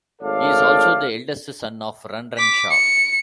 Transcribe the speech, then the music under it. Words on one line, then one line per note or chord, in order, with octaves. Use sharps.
He is also the eldest son of Run Run Shaw.
G#1 A3 A4 C#5 D5 F5
D6 B6
C#7